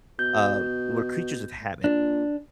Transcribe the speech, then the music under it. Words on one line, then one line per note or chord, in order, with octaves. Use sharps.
uh, we're creatures of habit,
B2 G6
A#2 D4